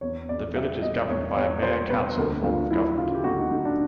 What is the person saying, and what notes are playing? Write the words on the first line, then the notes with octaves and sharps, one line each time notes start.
The village is governed by a Mayor-Council form of government.
E2 C#5
E2 D5
G3 E5
B2 D#5
E2 C#5
E2 C#5
G3 C5
B2 B4
D2 A#4
D2 F4
F#3 E4
C#3 F4
G4
D2 F#4
D#4
D2 D#4
D4